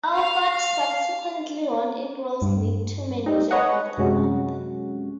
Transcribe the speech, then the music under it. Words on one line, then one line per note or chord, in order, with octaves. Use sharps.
Awford subsequently won April's League Two Manager of the Month.
F5
G2
G3 C4 D#4
B4 C#5 D#5 F#5
F#2 C3 G#3 C#4 F#4